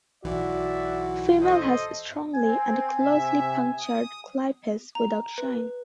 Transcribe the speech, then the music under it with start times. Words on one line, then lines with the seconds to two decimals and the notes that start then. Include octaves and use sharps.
Female has strongly and closely punctured clypeus without shine.
0.24 B1 E3 F#4 D5 E5
1.42 A4 C5 D#5
2.34 C4 G#5
2.99 C3 E5
3.78 D#6
4.95 A#5
5.38 B4